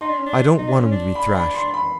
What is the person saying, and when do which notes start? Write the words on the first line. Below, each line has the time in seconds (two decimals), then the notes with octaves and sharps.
I don't want him to be thrashed.
0.01 D#4 C6
0.09 D4
0.18 C#4
0.26 D4
0.58 D#4
0.69 D4
0.80 C#4
0.92 D4
1.15 B5
1.35 B5
1.54 C6
1.74 B5